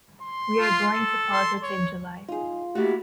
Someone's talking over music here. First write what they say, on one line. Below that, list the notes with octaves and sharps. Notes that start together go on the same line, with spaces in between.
We are going to Possets in July.
C6
F4
A4
C6
C#5
D#4 F4 G#4
A3 A#3 E4 F#4 G4